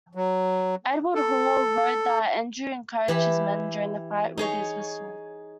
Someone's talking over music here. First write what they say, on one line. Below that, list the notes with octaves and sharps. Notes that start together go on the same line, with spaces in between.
Edward Hall wrote that Andrew encouraged his men during the fight with his whistle.
F#3
A4
E3 G4 B5
D#4 G#4 C#5